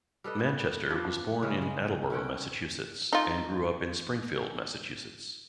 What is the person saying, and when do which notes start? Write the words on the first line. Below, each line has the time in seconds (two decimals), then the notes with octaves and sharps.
Manchester was born in Attleboro, Massachusetts, and grew up in Springfield, Massachusetts.
0.24 G3 A4 B4 D#5
0.39 B3
0.90 F3 D4 B4
1.43 C#3 G3 G#3 C#4
1.62 G#3
2.10 C#4 E4 F#5 G5
3.13 D#4 F4